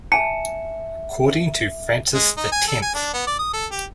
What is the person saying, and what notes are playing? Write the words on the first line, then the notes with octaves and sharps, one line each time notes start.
According to Francis the Tenth.
E5 G#5 A5 C#7
G#3
D#4
G#5
A4
G#5
D4
B3
D5
D#6
A4
G4